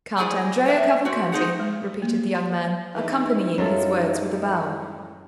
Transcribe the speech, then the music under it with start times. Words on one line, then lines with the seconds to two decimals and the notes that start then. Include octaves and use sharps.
"Count Andrea Cavalcanti," repeated the young man, accompanying his words with a bow.
0.17 E4 G#4 C5 D5 G#5 A#5
0.66 B4 E5 G5
1.05 C4 F#4
1.32 G#3 C4 D#4 G#4 F#5
1.60 G#3
2.02 A#3
2.35 C6
2.95 E2 E3 D#4 E4
3.58 F#2 A2 F#3 G#3 F4 A4